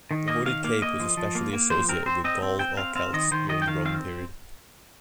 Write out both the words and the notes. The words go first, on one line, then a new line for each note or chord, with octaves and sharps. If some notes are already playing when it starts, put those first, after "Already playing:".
The hooded cape was especially associated with Gauls or Celts during the Roman period.
D#3
A#3 D#5
D#3 F5
A#3 F5
A#3 D#5
F3
F3
A#3
A#3
F3 C5
C4 A#4
C4 C5
C4 D#5
C4
C4 G5
C4 F5
C4 F5
D#3 D#5
D#3 C5
D#3 D#5
G5
D#3 F5
C4 F5